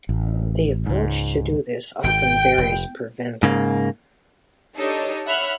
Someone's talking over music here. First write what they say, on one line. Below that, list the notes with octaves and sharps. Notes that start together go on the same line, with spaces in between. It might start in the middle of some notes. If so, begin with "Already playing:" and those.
The approach to do this often varies per vendor.
A1
C#2 G#2
G#1 G5 D7
F1
G#2 C#3 A#3
D4 D#4 G4 A4 C#5 D#5
C#5 E5 F#5 B5 F6 F#6